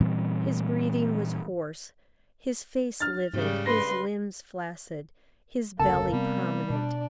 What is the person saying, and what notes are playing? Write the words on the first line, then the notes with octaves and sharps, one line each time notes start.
His breathing was hoarse, his face livid, his limbs flaccid, his belly prominent.
A#2 E3 G3 C4
F6 A6
G#2 C#3 G3
B4 C6 A#6
F1 D2 C#3 A#3 A4 A5
C3 G3 B3 C4
B2 D4 D5